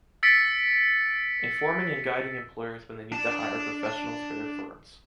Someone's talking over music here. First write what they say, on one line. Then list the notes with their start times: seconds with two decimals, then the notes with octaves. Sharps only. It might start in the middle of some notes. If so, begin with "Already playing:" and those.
Informing and guiding employers when they need to hire professionals for their firms.
0.23 E6 A6 B6 C#7 D7
3.12 D4 A5